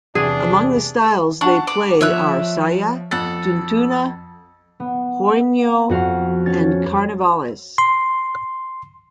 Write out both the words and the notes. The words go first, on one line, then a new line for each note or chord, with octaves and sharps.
Among the styles they play are Saya, tuntuna, huayno, and carnavales.
E2 C3 D4 G#4
D4 F#5 A5 C#6
D5
F3 C#5 E5 F#6
F2 A4 F#5 A6
B3
F2 F#4 F5
C#4 A6
C6